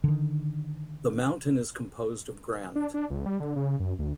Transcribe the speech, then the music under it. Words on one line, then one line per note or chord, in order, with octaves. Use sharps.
The mountain is composed of granite.
D3 D#3
D4
D4
C#2
G3
D3
C#3
F#2
D2